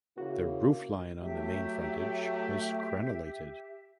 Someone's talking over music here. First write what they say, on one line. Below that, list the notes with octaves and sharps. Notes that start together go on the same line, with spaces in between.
The roofline on the main frontage was crenelated.
C#3 A#3 E4 F#4
F#3 A3 G4 E5